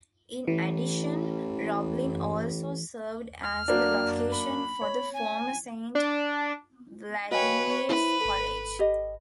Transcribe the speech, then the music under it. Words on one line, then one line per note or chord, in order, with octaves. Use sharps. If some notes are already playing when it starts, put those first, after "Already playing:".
In addition, Roblin also served as the location for the former Saint Vladimir's College.
A1 E3
F6
F#3 A#3 D4
B5
C#5
G#5
D4
F#4 B4 C#5 D#5 F5 G5 G#5
E4 B4 C5
G#1 A4
G4 D#5